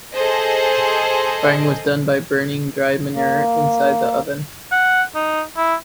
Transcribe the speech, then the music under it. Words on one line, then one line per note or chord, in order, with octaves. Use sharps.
Firing was done by burning dried manure inside the oven.
G#4 A4 C5 D#5
A#3
F#5
D#4
E4